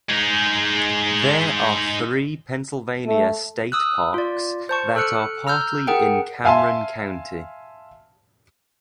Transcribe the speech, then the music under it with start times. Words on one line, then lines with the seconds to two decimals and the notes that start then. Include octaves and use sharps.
There are three Pennsylvania state parks that are partly in Cameron County.
0.09 G#3 D#4
3.06 A3
3.72 D#6 E6 F#6
4.14 F4 D5
4.69 C5 A5 C#6
4.96 A4 F6 F#6 C#7
5.47 A#5 E6 F6 G6
5.87 G#4 A#4 F#5 G5
6.44 E5 F5 G#5 A5 C6